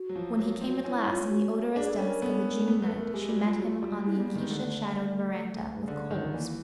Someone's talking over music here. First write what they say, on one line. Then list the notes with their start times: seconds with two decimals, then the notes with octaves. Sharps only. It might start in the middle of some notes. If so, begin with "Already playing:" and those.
When he came at last in the odorous dusk of the June night she met him on the acacia-shadowed verandah with cold sweetness.
Already playing: F#4
0.09 F#3
0.15 F3
0.39 F#3
0.61 C4
0.84 C#4 F4
0.97 E4
1.10 F4
1.30 F#4
1.76 D4 G#4
1.91 A4
1.99 C#4
2.06 A#4
2.21 B3 A4
2.45 A#4
2.67 B3 A4
2.82 A3 B4
2.98 A3 A#4
3.13 G#3 G4
3.29 G3 F#4
3.44 G3 F4
3.59 F#3
3.82 G3
4.04 G#3 E4
4.17 G3 B3
4.28 A#3
4.36 D#3
4.39 G#3
4.51 D3 A3
5.82 C#3
5.88 D3
6.11 D#3
6.34 E3 A#3